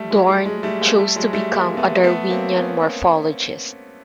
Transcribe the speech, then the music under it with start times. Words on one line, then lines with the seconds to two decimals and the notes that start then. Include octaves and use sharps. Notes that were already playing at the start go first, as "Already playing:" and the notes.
Dohrn chose to become a "Darwinian morphologist".
Already playing: G3 A3
0.10 F#3 G#3
0.29 G3
0.45 F#3 G#3
0.63 G3 A3
0.81 G#3 A#3
0.98 G3 A3
1.16 F#3 G#3
1.33 G3 A3
1.52 G#3 A#3
1.77 A3 B3
2.04 A3 B3
2.30 A#3 C4
2.56 B3 C#4